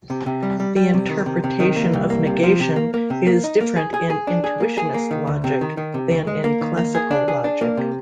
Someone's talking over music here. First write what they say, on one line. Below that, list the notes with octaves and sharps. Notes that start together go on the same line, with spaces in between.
The interpretation of negation is different in intuitionist logic than in classical logic.
C3
C3
G3
G3
G3
C3
D#3
C3
C3
D#3
A#3
C2
A#3
C3
F3
C3
A#3
A#3
C3
A#3
D#4
A#3
G#4
G#4
G#4
D4
G#4
A#3
G#4
A#3
D#3
D2
C3
D#3
D#3
C3
D2
G#3
A#3
D#3
A#3
G#4
D4
G#4
D4
A#3
C3